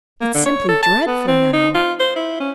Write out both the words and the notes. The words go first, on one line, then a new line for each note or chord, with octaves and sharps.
It's simply dreadful now.
A#3
D3
C#5
A4
A5
B3
C4
D#4
F4
C5
E4
C#4